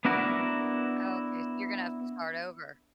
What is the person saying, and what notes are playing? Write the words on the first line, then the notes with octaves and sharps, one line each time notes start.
Oh okay so you're gonna have to start over.
B3 D4 E4 F#4 A#4